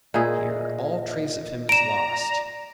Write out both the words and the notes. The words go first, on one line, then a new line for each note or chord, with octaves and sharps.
Here all trace of him is lost.
A#2 E4 G#4 D#5
D5 A#5 D7 E7